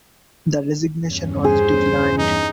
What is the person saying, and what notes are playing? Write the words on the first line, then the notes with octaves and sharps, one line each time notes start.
The resignation was declined.
E2 G2 C#4
G#4 C5
D#4